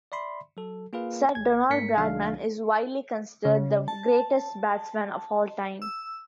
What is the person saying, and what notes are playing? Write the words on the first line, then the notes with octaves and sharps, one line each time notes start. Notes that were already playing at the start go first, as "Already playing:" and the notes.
Sir Donald Bradman is widely considered the greatest batsman of all time.
D5 E5 B5 C6
F#3 A4
A#3 F4 G#4 B4 F5
A1 G#6
G#2 A#3 A#4 B6 C#7
C2 D#3 F#3 A3 D4 F5
C#3
A5
E6